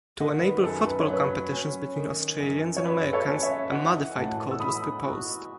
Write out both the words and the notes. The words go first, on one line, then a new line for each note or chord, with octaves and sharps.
To enable football competitions between Australians and Americans, a modified code was proposed.
D#3 D#5 F#5
B4
F#2 A4
B4
C#5
F#3 B4
C#4
D#3
F#2
C#5
F#3 B4
A4 C#5
C#4
C#5 E5
E3 D#5 F#5
A2 F#5 A5
E6
B3 B5 D#6
F#4